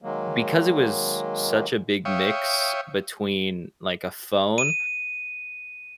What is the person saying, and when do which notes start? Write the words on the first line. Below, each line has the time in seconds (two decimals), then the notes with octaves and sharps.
because it was such a big mix between, like, a phone
0.02 D#3 F#3 G#3 A#3
2.05 C#5 E5 F5 G5 C#6 D#6
4.58 D#7